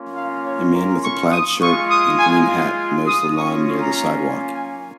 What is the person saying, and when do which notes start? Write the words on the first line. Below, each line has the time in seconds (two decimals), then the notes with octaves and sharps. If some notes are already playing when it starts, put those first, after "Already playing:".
A man with a plaid shirt and green hat mows the lawn near the sidewalk.
Already playing: A#3 C#4 F4
0.15 F5
0.44 C#5
0.73 A#4
1.03 C#6
1.31 D#6
1.61 G#3 F4 C#6
1.90 D#6
2.19 G#5
2.48 F5
3.06 D#6
3.35 A#3 C#4 F4 C#6
3.80 A#5
4.23 G#5
4.53 G#5